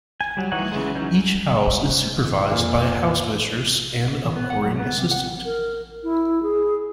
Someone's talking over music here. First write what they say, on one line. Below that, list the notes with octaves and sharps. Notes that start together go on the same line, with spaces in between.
Each house is supervised by a housemistress and a boarding assistant.
G#5
F#3 G3
E3 F#3 D#4 C#5 F#5
C#3 E3 G#3
E3 F#3 C#4 D#4
F1 A#2 F5
E3
B3
F#5
F#2
B3
C3
F#5
A#4
E4
G#4